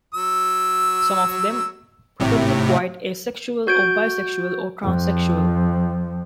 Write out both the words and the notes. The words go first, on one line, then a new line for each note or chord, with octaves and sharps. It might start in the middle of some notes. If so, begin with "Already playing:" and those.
Some of them probably quite asexual or bisexual or transsexual!
F#3 E6
G#1 A2 C3
F#4 G6 G#6 D7
F2 F3